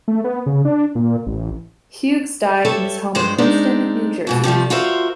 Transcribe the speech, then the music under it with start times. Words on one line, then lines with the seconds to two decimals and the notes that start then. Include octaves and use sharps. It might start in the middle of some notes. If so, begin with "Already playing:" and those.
Hughes died in his home in Princeton, New Jersey.
0.08 A3
0.24 B3
0.46 C#3
0.65 D4
0.95 A#2
1.26 A1
2.65 G3 A4 C#5 E5
3.15 G2 G#3 C5
3.38 G#3 C4 D4 D#4
4.27 F2 G#2 B2
4.43 C3 F3 G3 A3
4.70 F4 F#4 A#4 C5 E5